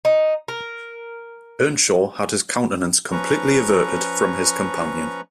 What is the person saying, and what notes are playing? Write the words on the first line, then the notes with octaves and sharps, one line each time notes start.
Earnshaw had his countenance completely averted from his companion.
D#4
A#4
F3 C#4 B4 A#5 C#6